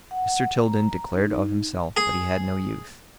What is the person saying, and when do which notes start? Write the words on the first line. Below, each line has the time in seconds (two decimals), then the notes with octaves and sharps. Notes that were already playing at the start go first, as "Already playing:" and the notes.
Mr. Tilden declared of himself that he had no youth.
0.11 F#5
0.66 A#5
1.15 D#4
1.97 G#4